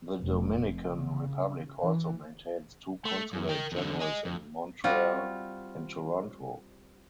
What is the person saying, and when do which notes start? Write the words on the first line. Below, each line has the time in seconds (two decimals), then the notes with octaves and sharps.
The Dominican Republic also maintains two consulate generals in Montreal and Toronto.
0.22 F1
0.88 C#3
1.82 E3
3.05 A3
3.33 F#2
3.49 A#4 G5
3.72 E2 D3
4.00 D#5 G#5
4.25 F2
4.84 G3 C4 F4 F#4